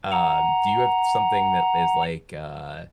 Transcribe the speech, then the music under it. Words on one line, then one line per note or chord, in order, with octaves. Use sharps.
Um, do you have something that is like, uh
F#5 A#5